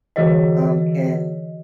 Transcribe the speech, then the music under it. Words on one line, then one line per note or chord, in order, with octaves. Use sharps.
um, can
D3 E3 F#4 G#4 C#5 D#5